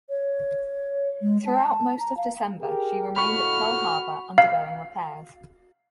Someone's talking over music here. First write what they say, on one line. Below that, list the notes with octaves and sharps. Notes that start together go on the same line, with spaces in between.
Throughout most of December, she remained at Pearl Harbor undergoing repairs.
C#5
G#3
A5
A#5
F5
G4 G#4 A#4
F2 A2 F#4 A4 B5 C#6 F6
F5